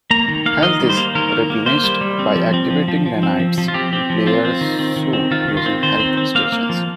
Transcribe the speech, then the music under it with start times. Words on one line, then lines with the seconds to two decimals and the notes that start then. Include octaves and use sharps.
Health is replenished by activating nanites in player's suit using health stations.
0.11 A#3 A#5
0.28 D#3
0.46 A#3 F5
0.62 D#3 D#5
0.80 G3
0.89 C5
0.97 A#3
1.15 D#3 A#4
1.32 A#3
1.50 A#3
1.66 A#3 C5
1.84 G3
2.01 G3
2.19 C4
2.36 F3
2.54 C4
2.71 F3
2.88 F3
3.06 F3
3.23 C4
3.40 F3
3.58 F3
3.68 F4
3.74 C4 G4
3.93 C4
4.10 F3
4.27 C4 F4
4.45 C4
4.61 D#3
4.79 C4
4.96 D#3
5.13 C4
5.31 D#3 F4
5.48 D#3
5.57 F4
5.66 C4
5.83 D#3 C5
6.00 C4
6.17 C4
6.35 A#3 F5
6.52 A#3
6.69 F3